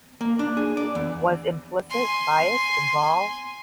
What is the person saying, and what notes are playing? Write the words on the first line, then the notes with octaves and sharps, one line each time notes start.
Was implicit bias involved?
A#3
D4
G#4
D5
E2
G#5 C6